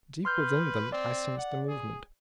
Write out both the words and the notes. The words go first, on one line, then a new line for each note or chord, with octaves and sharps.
Deep within them I sensed a movement.
B4 C6 F6 G6
C4 D5
F#5
G#4